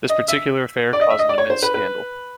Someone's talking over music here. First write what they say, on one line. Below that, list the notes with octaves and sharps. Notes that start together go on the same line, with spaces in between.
This particular affair caused an immense scandal.
D#5
E5
D5
D#5
E5
D#5
D5
C#5
C5
B4
B4